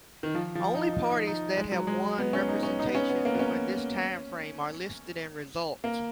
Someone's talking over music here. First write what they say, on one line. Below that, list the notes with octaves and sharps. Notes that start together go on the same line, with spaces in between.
Only parties that have won representation during this timeframe are listed in results.
D#3
F3
F3
D#4
D#4
D#4
D#4
G#3
F#3
G#3
B3
C#4
D#4
C#4
D#4
B3
C#4
B3
A#3
B3
C#4
A#3